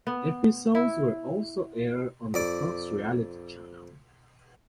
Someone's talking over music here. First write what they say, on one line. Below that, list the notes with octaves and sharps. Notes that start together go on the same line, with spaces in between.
Episodes were also aired on the Fox Reality Channel.
B3
E4
F2 D5 D6